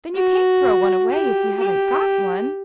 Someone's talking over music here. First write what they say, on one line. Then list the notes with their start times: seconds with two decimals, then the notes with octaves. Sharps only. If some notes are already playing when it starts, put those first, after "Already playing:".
"Then you can't throw one away, if you haven't got one."
0.15 F#4
1.11 G4
1.59 G4